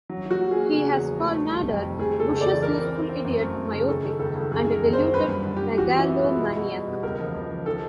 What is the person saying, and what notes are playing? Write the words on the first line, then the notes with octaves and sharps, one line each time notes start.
He has called Nader "Bush's Useful Idiot," myopic, and a deluded megalomaniac.
F#3
F#3 F#4
A#3
G#4
A#3
C#3 G#4
E2
F3
A3
G3
D#3
F2
C3
A3 G#4
C#3 A4
C#2
D5
E3
E3 A#4
C4
E3
C4
F#2
A3
F#2
C#3
D#3 A4
D#3
C#2 A4
C#2
F#2 G#4
D#3
A#4
F#2
C5
F#2
G2 B4
G2
D3
G4
D3
E3 F#4
B3
E4
B3
F4
G#3
B2
B2
G3
B2
C#2 A#4
F3
C#2
F3
D#3 A4